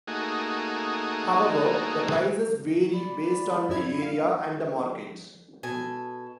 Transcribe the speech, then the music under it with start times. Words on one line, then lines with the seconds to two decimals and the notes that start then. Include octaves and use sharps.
However, the prices vary based on the area and the market.
0.07 A3 A#3 D#4 F#4 G#4
2.93 D5 B5
3.69 F#2 E4 G#6
4.02 F5
5.63 B2 A4 G#5